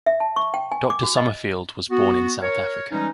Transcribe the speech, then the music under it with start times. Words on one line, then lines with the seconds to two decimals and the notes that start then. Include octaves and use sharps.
Doctor Summerfield was born in South Africa.
0.06 E5
0.20 A5
0.36 C#6
0.54 G5
0.72 G#5
0.90 D6
1.03 F#4
1.17 D#5
1.91 B3 F#4
2.42 A#4 C#5
2.91 E3 G3 G#3 C#4 D#4